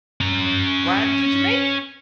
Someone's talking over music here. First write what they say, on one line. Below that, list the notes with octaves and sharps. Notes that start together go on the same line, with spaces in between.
riding through Jamai
C#4 A#5